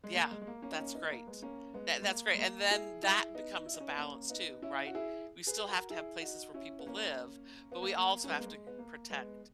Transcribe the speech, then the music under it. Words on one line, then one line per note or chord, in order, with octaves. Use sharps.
Yeah. That's great. That that's great, and then that becomes a balance too, right? We still have to have places where people live, but we also have to protect
G#3
A#3
G#3
G#3
A#3
A#3 C#4
D#4
A#3 C#4
B3 D#4
A#3
G#3 B3
A#3 C#4
G#3 B3
G#3
A#3
G#3
A#3
E4 G#4
E4 G#4
B3 D#4
E4
D#4
C#4
B3 D#4
A#3 C#4
B3 D#4
C#4 E4
F#4
E4 G#4
G#4 B4
F#4 A#4
E4 G#4
D#4 F#4
C#4 E4
B3
A#3 C#4
B3
A#3
A#3
A#3
C#4
G#3 B3
A#3
G#3
B3
A#3
G#3 B3